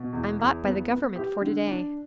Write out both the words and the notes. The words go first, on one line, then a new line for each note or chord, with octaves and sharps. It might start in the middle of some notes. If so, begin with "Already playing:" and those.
"I'm bought by the government for to-day."
Already playing: B2
E2
E2
B3
B3
G4
D3
D4